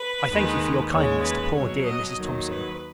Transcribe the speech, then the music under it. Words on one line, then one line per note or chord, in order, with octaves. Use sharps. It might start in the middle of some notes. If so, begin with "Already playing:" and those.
I thank you for your kindness to poor dear Mrs. Thomson.
Already playing: B4
D#2 D#3 G#3
D#2 C#3 G#3 C#5
B4
B2 F#3 C#5
D#5
D#2 D#3 F#3
B4